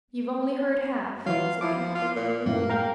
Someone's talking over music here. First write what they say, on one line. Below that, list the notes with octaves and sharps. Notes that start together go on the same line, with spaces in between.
"You've only heard half," said Katharine, rudely.
E3 F#3 F4
F3 E4 D6
F4
A#2
F#2 A2 A#3
A#4 F5 G5